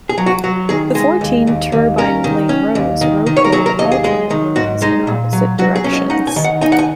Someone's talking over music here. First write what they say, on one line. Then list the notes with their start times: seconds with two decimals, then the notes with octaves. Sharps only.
The fourteen turbine blade rows rotated alternate rows in opposite directions.
0.09 G#4
0.18 F#3
0.26 F#4
0.44 F#3 F#4
0.69 D#3 G#4
0.95 G#3 G#4
1.21 D#2
1.47 D#2
1.72 D#2
1.98 C#4 A#4
2.24 D#3
2.49 C#4
2.75 D#2
3.01 D#3
3.26 D#3
3.37 C#5
3.45 A#4
3.52 F#3 G#4
3.66 A#4
3.79 D#2 D#5
3.91 G#4
4.04 G#3 G#4
4.31 D#3
4.56 G#2 F#4
4.82 G#3 D#4
5.07 A#2
5.33 F#3
5.59 F#3 F#4
5.75 G#4
5.84 C#4
5.93 D#5
6.10 D#4 F#5
6.27 G#5
6.36 D#3
6.44 F#5
6.61 D#4 G#5
6.72 F#5
6.79 G#5